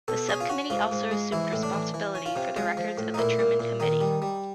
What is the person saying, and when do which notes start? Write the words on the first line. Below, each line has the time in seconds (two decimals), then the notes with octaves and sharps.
The subcommittee also assumed responsibility for the records of the Truman Committee.
0.08 B2 A4
0.29 C#4 G#4
0.41 F4
0.49 C#4 F#4
0.70 G#2 F4
0.91 G#2
1.11 G#3
1.32 E3 E4
1.53 A2
1.63 D4
1.73 E3
1.94 E3
2.15 C#4
2.26 F4
2.36 C3
2.56 G#3 F4
2.77 F3
2.98 A2
3.14 D#4
3.18 A#2 E4
3.39 A#2
3.59 A#2
3.80 D#3 D#4
4.01 G3
4.22 G3